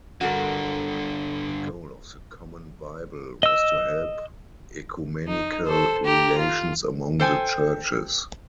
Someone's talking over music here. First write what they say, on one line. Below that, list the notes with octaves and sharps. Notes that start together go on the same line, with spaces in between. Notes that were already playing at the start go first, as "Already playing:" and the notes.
The goal of the "Common Bible" was to help ecumenical relations among the churches.
G2 D3 F#4 A4 A#4
D#5 E6
D#4
A4 C5
G4 A#5
F4
A4 C5 G5 G#5